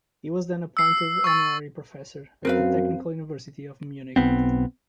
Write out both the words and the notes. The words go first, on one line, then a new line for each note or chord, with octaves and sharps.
He was then appointed honorary professor at the Technical University of Munich.
E6 C7
C#6 E6 A6
F#2 C4 A#4 B4 F5
B1 B3 C4